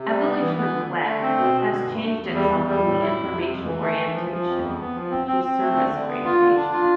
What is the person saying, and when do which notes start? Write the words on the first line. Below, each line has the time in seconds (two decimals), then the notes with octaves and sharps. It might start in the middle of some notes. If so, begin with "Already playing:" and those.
Evolution of Web has changed itself from the information orientation to Service orientation.
Already playing: C3
0.08 G3
0.25 B3
0.41 E3
0.57 B3
0.74 D3
0.89 D3
1.05 A3
1.22 C4
1.38 B2
1.54 B2
1.71 D3
1.86 G2
2.03 A3
2.19 E2
2.35 G3
2.51 E2
2.68 G3
2.84 A2
3.01 E4
3.17 F2
3.33 C3
3.49 F2
3.65 E3
3.81 A3
3.97 E3
4.14 F3
4.30 F3
4.46 F2
4.62 E2
4.79 B3
4.94 F3
5.11 C4
5.27 C4
5.44 C4
5.60 A3
5.75 D3
5.92 D3
6.08 B3
6.25 F4
6.41 D3
6.56 D4
6.73 F4